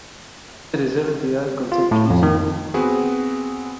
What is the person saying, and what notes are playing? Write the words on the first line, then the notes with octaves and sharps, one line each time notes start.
As a result, they are conceptually similar.
F4
A2
F2
D#3
B3 C4 F#4 G#4 B4